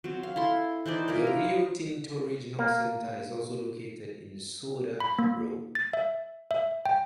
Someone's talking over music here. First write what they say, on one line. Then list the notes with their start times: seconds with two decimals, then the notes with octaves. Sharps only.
The Rio Tinto Regional Center is also located in SoDa Row.
0.04 F#3 C4
0.23 F5
0.36 E4 A4 C6
0.86 E3 D#4 C5 D5
1.08 E4 F4 A#4 D5
1.27 A#5
2.59 A#3
5.00 B5
5.19 A#3
5.75 A6
5.93 E5
6.51 E5
6.86 G5